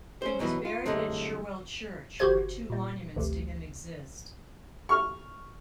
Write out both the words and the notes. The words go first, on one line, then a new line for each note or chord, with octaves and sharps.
He was buried at Shirwell Church, where two monuments to him exist.
C#4 C5
F#2 B2 E3 F#3 B3
F4
C2 F#2 D3 G#3 A3
G1 F#4 G4 C5 G#6
A#2 G3
A1 D2 C3
C#6 F6